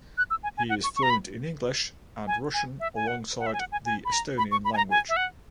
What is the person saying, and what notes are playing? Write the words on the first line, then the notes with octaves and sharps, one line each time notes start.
He is fluent in English and Russian alongside the Estonian language.
F#6
E6
G#5
G#5
F#5
C#6
C#6
A#5
B5
G#5
G#5
E5
G#5
F#5
F#5
E5
G#5
F#5
G#5
G#5
B5
A#5
B5
C#6
B5
G#5
A#5
G#5
E5
F#5